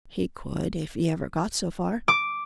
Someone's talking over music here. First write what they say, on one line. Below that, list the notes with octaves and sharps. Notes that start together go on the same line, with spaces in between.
"He could--if he ever got so far."
D6